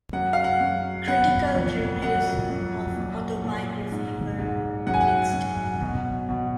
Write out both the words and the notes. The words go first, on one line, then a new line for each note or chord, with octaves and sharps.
Critical reviews of "Autobiography" were mixed.
F#2 F#5
F5
F#5
F#2
B3 F#5
F2
F#2 F#5
F#2
A#2
A#2
G#2
G#2
F#2 F#5
G#5
F#5
F#2
B2
B2